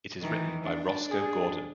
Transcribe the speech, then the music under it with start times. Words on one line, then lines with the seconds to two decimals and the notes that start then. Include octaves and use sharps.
It is written by Rosco Gordon.
0.21 D#3 E3
0.64 D4
1.11 G#4